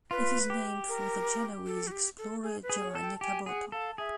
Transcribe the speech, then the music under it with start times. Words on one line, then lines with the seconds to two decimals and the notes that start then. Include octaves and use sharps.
It is named for the Genoese explorer Giovanni Caboto.
0.11 F4 B4
0.50 G4
0.89 A#4
1.67 A4
1.87 F#4
1.92 G4
2.18 A4
2.43 G#4
2.63 B4
2.70 G#4
2.82 C#5
2.95 A4
3.02 G5
3.21 G4 G#5
3.46 G#4 F#5
3.72 A4 F5
3.98 G#4 E5